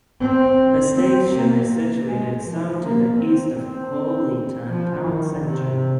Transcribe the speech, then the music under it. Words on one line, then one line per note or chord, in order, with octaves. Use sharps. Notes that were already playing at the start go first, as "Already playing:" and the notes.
The station is situated some to the east of Colyton town centre.
C4
C4
A#3
G#3
F3
A#3
C4
C4
F3
D#3
C3